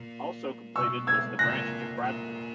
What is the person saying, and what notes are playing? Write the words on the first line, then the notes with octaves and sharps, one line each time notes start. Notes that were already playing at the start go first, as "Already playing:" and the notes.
Also completed was the branch to Bradford.
Already playing: A#2
B2 C#6 E6
E6 G#6
A#2 F#6 A#6
A#2